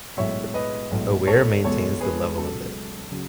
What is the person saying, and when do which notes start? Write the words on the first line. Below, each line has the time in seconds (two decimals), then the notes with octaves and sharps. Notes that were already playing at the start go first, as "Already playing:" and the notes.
A weir maintains the level of it.
0.17 B1 A2 G#3 C#5 E5
0.54 B4 D#5
0.91 B1 A2 G#3
1.27 A4 C#5
1.64 E1 E2 B2 G#3 A4 C#5
2.01 G#4 B4
2.37 C#2 B2 F#3 A4
3.12 C#3 F#3